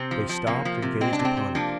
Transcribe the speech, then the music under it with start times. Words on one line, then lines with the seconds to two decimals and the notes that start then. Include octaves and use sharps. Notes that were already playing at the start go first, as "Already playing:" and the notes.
They stopped and gazed upon it.
Already playing: C3 C4
0.11 F3
0.29 F3
0.47 C3 A#3
0.65 F3
0.82 C3
1.01 G#3 C4
1.13 D4
1.19 C3
1.25 C4
1.37 C3
1.55 F3 A#3 D4